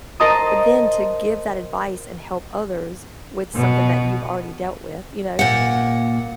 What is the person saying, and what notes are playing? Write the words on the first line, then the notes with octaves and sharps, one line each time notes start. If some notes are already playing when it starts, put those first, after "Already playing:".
b then to give that advice and help others with something that you've already dealt with, you know,
A#4 C5 D#5 A5 A#5 D#6
B2
A#2 F#5